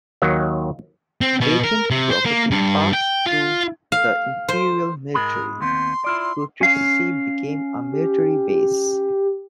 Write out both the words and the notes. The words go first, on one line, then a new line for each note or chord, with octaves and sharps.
Vacant property passed to the Imperial Military; Krutitsy became a military base.
D#2 D#3 F#3
C4
B2
A#4
C3
C5
A#3
G2
G5
F4
F5
C5
G#2 G#3 A#4 B5
D#2 B3 C4 C6
E4 F4 D5
C#4 F5
G4